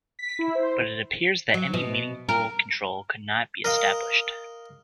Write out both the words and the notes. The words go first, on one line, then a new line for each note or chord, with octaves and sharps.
But it appears that any meaningful control could not be established.
B6
E4
C5
F#3
B2
A#4
A#4 D#5 F5